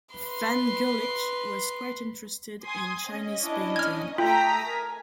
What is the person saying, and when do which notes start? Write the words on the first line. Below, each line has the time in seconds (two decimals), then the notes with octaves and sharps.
Van Gulik was quite interested in Chinese painting.
0.16 B4 C6
2.64 G#5 C6 D#6
3.09 C#4 D#5
3.43 D4 E4
3.76 F6 G#6
4.18 A3 F4 G5 A#5 D#6 B6
4.66 A#4 G#5